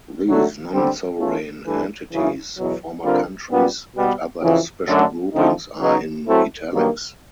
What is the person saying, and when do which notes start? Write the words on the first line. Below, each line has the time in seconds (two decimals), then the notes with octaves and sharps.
These non-sovereign entities, former countries and other special groupings are in "italics".
0.27 D3 F#3 A3 D4 F#4
0.73 D3 G3 C4
1.19 E3 A3 C#4 F4
1.65 G2 E3 A3 D4
2.12 F#2 C#3 E3
2.57 E2 B2 F#3
3.03 D3 G3 C4 F4 A#4
3.49 A#2 G3 B3
3.95 B2 G3 B3
4.42 F2 C#3 E3
4.88 F#2 D3 F#3 A3 D4
5.34 D3 F3 A3 C4 D#4
5.80 C#3 F#3 B3 D#4
6.26 F#3 A3 C4 E4 A4
6.72 G2 D#3 F#3 A#3